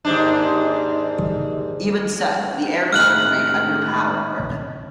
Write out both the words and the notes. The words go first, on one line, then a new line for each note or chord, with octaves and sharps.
Even so, the aircraft remained underpowered.
D#2 G#2 D4
A2 D#3 G#3 F6 F#6 F#7